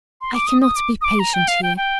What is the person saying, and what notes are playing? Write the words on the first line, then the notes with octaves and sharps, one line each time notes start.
I cannot be patient here.
C6
D6
D#6
D#6
D6
D#6
D6
A#5
G5
F5
G5
G5